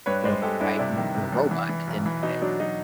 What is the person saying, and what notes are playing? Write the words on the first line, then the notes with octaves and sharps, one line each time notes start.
you know, providing, you know, robot at the end of the day,
G2 B4 C#5
G#3 C5 D5
G#3 G4 A4
G2 D4 E4
C3 D4 E4
D#3
C3
E2
E3
E3
B1
E3
B2 D#4
F#3 D4
F#3 D#4